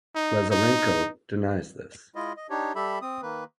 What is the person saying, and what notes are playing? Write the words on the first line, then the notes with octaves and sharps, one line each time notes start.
Lazarenko denies this.
D#4
D#4
G#3 E4 F4 D#5
D#5
D4 D#4 G4 C#5
G3 G4 A4 E5 B5
C4 D#6
D#3 A#3 B4